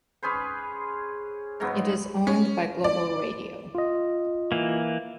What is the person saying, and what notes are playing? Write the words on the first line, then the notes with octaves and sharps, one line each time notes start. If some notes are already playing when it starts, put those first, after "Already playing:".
It is owned by Global Radio.
C#4 G#4 B4 C5
G#2 C#3 F#3 B3
C#4
D5
F4 D#5
E3 A#3